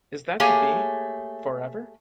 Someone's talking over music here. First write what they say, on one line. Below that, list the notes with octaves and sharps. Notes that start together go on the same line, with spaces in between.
Is that to be — for ever?
A3 A#3 G4 G#4 C#5 G#5